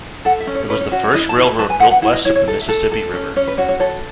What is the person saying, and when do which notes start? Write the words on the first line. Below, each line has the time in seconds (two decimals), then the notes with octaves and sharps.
It was the first railroad built west of the Mississippi River.
0.25 A4 F#5
0.40 E5
0.47 C#4
0.55 C#5
0.70 C#4 B4
0.81 C#5
0.92 F#4 C#5
1.04 C#5
1.14 E4 D#5
1.29 A5
1.36 E4
1.44 B5
1.58 B4 A5
1.70 G#5
1.80 B4 F#5
1.91 F#5
2.02 E4 F#5
2.13 D#5
2.25 E4 C#5
2.35 C#5
2.48 A4
2.62 E5
2.69 A4
2.92 A4
3.14 C#4
3.36 C#4 C#5
3.48 B4
3.58 F#4 C#5
3.69 C#5
3.80 A4 C#5